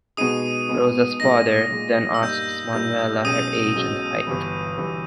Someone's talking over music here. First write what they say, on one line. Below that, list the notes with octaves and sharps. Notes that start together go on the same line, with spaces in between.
Rosa's father then asks Manuela her age and height.
B2 G#3 B3 D#4 G#4 D#6 D#7
B2 G#3 B3 D#4 G#4
A#2 G#3 D#4 A#6
A#2 G#3 D#4
E6
G2 G3 A#3 D#4 G6
G2 G3 A#3 D#4 G6
B1 B2 G#3 C#4 D#6 D#7
B1 B2 G#3 C#4
G1 G2 E3
G1 G2 E3